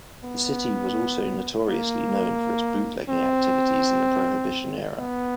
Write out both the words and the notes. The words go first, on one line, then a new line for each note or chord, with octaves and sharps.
The city was also notoriously known for its bootlegging activities in the Prohibition era.
B3
A#3
C4
B3